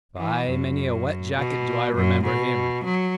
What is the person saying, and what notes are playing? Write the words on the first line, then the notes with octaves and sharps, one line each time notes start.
By many a wet jacket do I remember him.
E3
F#2
B2
F#2
B2
F#3